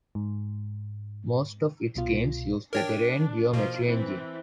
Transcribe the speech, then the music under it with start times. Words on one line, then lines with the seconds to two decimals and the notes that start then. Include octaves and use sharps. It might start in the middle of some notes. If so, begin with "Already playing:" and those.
Most of its games used the Terrain geometry engine.
0.15 G#2
1.95 C2 B2 F4
2.73 D4 A#4 C#5 G5
3.53 B2 F3 A#3 F4
3.84 E3 C4 E4